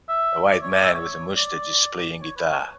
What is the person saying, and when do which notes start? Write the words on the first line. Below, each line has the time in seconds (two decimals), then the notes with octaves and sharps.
A white man with a mustache is playing guitar.
0.09 E5
0.51 D5
0.62 C#5
0.73 D5
0.83 E5
0.94 C#5
1.37 D5
2.22 C#5
2.36 B4
2.50 C#5